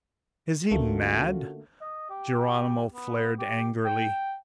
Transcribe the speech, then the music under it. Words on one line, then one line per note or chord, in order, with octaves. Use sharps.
"Is he mad?" Geronimo flared angrily.
D2 D3 A3 A#3 C#4 F4 F#4
D#5
G4
B3
G4
G5